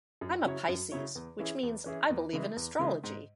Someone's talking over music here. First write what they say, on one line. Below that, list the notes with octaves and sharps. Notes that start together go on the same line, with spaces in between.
I'm a Pisces, which means I believe in astrology.
F#2
C#3 F#3 E4 C#5
F#2
C#3 F#3 E4 C#5
E2
E3 C#4 E4 G#4
E2
E3 C#4 E4 G#4
E2
C#3 E3 G#3 E4
E2
C#3 E3 G#3 E4
G#2